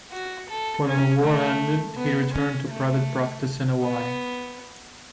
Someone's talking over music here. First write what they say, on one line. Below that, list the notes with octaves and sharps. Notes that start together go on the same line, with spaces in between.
When the war ended he returned to private practice in Hawaii.
F#4
A4
C#4
A3
B3
C#4
A3
B3